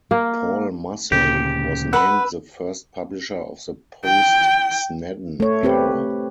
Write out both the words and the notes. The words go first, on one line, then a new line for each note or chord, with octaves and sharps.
Paul Massey was named the first publisher of the post-Snedden era.
A#3
D2 A#2 C#3 G4
B4 F#5 B5 E6
G5
A3 C#5
C4 G4 B4